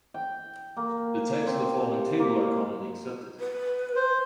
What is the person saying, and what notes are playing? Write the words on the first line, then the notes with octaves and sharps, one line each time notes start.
The types in the following table are commonly accepted.
G5
A#3
C4
C3
A#3
B4
C5